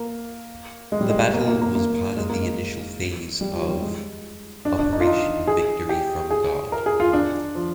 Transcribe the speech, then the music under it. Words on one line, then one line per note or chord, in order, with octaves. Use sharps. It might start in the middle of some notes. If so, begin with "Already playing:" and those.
The battle was part of the initial phase of Operation Victory from God.
Already playing: A#3
G#3
G3
G#3
A#3
A#3
A#3
A#3
G#3
A#3
G#3
G3
F3
G3
G#3
D4
D4
D#4
F4
D#4
G#4
G4
G#4
A#4
G#4
F4
D4
F3